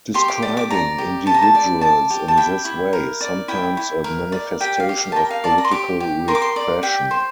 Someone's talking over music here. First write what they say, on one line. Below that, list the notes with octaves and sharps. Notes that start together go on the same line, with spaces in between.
Describing individuals in this way is sometimes a manifestation of political repression.
G4 C6
D6
D5
D6
D5 A#5
G4
G4 A5
A#5
A5
D5
D5 A5
G4
A5
E4 G5
E4
A#4
D5
E4 G5
E4
A#4
D5
G4 G5
F5
G4
F5
A5
A#4 G5
F5
D5 A5
A#5
C6
G4 D6
G4
A#4 C6
D6
C6
D5
G4 G5
C5